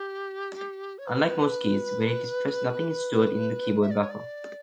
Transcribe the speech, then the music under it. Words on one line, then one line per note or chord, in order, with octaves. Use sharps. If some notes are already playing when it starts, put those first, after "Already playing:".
Unlike most keys, when it is pressed nothing is stored in the keyboard buffer.
Already playing: G4
C#5
B4
E5
D5
C#5
D5